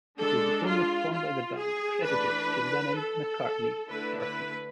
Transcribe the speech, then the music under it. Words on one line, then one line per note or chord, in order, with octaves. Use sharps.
It is the only song by the band credited to Lennon-McCartney-Starkey.
G#3 D4 A4
F4
F4
G#4
E3 A3 D4 B4
A4
D3 A3 E4 B4
B4